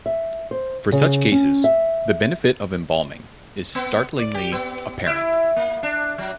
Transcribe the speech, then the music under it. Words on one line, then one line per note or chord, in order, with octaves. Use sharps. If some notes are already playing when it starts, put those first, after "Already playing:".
For such cases, the benefit of embalming is startlingly apparent.
E5
C5
C#3
C#4
E5
B3
D5
G4
B3
E4
A#3
D4
F#3